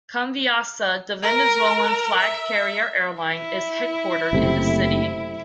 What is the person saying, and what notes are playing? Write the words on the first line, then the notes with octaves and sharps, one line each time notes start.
Conviasa, the Venezuelan flag carrier airline, is headquartered in the city.
A#4
E5
E4
F#1 C3 A3